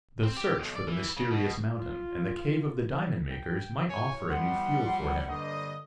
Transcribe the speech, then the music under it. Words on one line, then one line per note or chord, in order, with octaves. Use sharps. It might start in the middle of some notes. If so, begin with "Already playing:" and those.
The search for the mysterious mountain, and the cave of the diamond makers, might offer a new field for him.
C4
G4
B1
D5
E3
C#3
B2
F4
G5
F#2 E3 C#5 G#5
E3 G3 B3 F#5 C6
F3 F#3 A#3 C6
G2 D3 A#3 C5 D#5